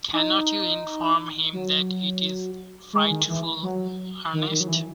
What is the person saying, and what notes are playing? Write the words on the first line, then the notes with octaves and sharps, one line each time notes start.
Cannot you inform him that it is frightful earnest?
D#4
F#3
G#3
D#3
E3
F#3
D#3
D#3
F#3
E3